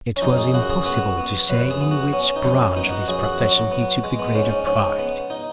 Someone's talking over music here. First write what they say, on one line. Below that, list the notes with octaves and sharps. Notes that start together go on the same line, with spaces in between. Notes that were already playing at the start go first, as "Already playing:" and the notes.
It was impossible to say in which branch of his profession he took the greater pride.
C#4
F#2 D#4
G#4
F#2 F#4
G#4
B3 F#4
B3
F#2 B4
G#4
B3
F#4
B3 C#4
D#4
F#2 C#4
B3 D#4
F#4
F#2 G#4
F#4
F#3
B3
G#3
B3
G#2 C#4
C#4
G#2 C#4
B3
D#4